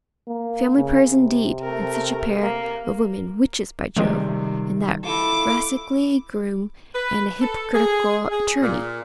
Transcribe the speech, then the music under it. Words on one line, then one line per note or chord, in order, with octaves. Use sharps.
'Family prayers indeed! and such a pair of women--witches, by Jove!--and that rascally groom, and a hypocritical attorney!
A#3
C#3
C3
A3 A#4
A#3
C3 D#3 F3 G3 G#3 C4
E4 F4 A4 D6
B4
A4
G#4
G#4
A#2